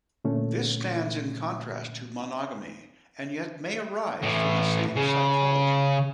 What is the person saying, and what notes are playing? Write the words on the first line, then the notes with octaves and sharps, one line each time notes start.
This stands in contrast to monogamy, and yet may arise from the same psychology.
A#2 D3 A3 C#4
A2 E3
C#3